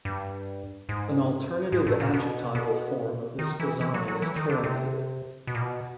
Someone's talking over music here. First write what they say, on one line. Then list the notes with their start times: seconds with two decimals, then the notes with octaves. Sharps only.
An alternative adjectival form of this design is carinated.
0.05 G2
0.89 G#2
1.72 G#2
1.86 A2
2.00 A#2
2.14 B2
2.55 B2
3.39 D#3
3.60 E3
3.81 E3
3.94 F#3
4.08 F#3
4.22 E3
4.36 D#3
4.50 D3
4.64 C3
5.47 B2
5.55 A#2
5.62 B2